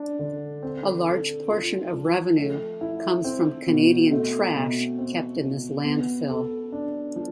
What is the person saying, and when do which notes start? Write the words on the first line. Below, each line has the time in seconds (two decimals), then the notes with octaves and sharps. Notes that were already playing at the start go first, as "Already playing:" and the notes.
A large portion of revenue comes from Canadian trash kept in this landfill.
Already playing: D4
0.19 D3
0.63 C4
1.06 A4
1.50 F4
1.93 F3
2.37 A3
2.81 E4
3.24 C4
3.68 B2
4.11 A3
4.55 B2
4.98 C4
5.42 B2
5.85 B3
6.29 A4
6.72 D4
7.16 F3